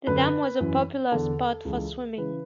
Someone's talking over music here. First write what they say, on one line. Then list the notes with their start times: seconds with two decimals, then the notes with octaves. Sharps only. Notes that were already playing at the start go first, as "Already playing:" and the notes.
The dam was a popular spot for swimming.
0.07 F#2 D3 B4
0.60 F#2 E3
1.12 E2 D3 A4
1.65 C#2 C#3 E3
2.18 C#3 E3 B4